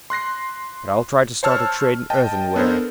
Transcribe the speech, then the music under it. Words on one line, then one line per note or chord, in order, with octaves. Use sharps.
But I will try to start a trade in earthenware.
C6 F#6 A#6 C7
C5 C#5 A5 E6 F6
D#5 G5 A5
B3 D4 A4 A#4 C5